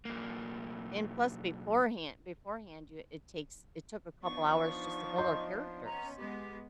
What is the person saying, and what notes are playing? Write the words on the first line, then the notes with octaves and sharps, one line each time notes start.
and plus beforehand beforehand, you it takes it took a couple hours just to build our characters.
B1 A#3
F3 B3 D4 D#4 C#6
D#5 C6 G6
B3 C#4 A#5
G#3 B3 G4